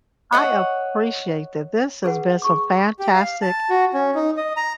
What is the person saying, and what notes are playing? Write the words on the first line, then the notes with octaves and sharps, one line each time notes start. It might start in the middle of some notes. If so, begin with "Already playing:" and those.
I appreciate that. This has been some fantastic,
C#5 D#5 F#5
G#4 B4 F#5
G#4 C#6 D6
G4
F5
A5
F#4
C#4
D#4
D#5
A#5